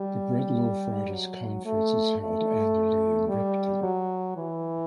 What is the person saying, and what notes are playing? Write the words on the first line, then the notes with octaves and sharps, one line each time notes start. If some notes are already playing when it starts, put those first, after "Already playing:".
The Bread Loaf Writers' Conference is held annually in Ripton.
Already playing: G3
F#3
A3
A3
G3
F#3
E3